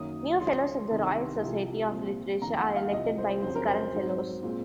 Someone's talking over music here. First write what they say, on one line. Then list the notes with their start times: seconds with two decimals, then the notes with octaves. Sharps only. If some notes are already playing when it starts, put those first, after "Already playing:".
New fellows of the Royal Society of Literature are elected by its current fellows.
Already playing: F#2 D#3 F#3 A#3 D#6
0.40 C#2 C#3 F3 C6
0.91 C2 C3 D#3
1.41 C2 C3 F3
1.92 A#2 F3 C4
2.42 F2 D#3 A#3 A#5
2.59 F#5
2.76 F5
2.92 C2 C3 F3 C4 D#5
3.18 C5
3.42 F2 C#3 F#3 C4 C5
3.55 A#4
3.67 C5
3.94 G#2 F#3 C4
4.43 A#2 G#3 C4